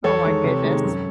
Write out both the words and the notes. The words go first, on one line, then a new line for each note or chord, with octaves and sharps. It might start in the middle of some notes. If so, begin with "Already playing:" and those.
Oh, my goodness!
E2 A4 C#5
D#3 G#3
C3
D#3 G#3
F#2